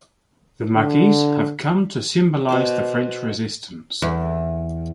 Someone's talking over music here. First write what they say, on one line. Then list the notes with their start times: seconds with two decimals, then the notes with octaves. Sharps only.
The Maquis have come to symbolize the French Resistance.
0.75 D3
2.49 B2 C5 D6
4.02 E2